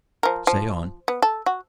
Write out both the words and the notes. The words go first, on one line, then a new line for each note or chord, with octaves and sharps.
"Say on."
F3 A#4
F3
B3
A4
F#4